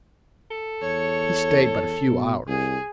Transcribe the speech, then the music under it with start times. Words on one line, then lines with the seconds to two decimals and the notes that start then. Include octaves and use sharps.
He stayed but a few hours.
0.51 A4
0.82 E2 C#5
2.07 B2
2.48 C2 G#4